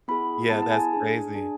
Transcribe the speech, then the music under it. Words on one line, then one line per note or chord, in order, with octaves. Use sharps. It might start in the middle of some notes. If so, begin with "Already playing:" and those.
Yeah. That's crazy.
B3 E4 G#4 B5
B3 E4 G#4 A5
A5
G#5
D4 G#4
D4 G#4